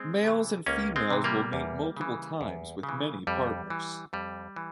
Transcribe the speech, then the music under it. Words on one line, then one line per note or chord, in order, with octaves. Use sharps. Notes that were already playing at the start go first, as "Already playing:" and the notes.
Males and females will mate multiple times with many partners.
Already playing: G#3 C4
C3 E3
C#2 A#3 C#4
G#3 C4
C3 E3
G3 A#3
E2
C#3 E3
E2
C#3
E3
F2 G3
E3
F2 G3
E3